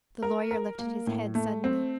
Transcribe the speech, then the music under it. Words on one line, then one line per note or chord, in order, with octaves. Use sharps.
The lawyer lifted his head suddenly.
A#4
A#4
A#3
A2
A3
C4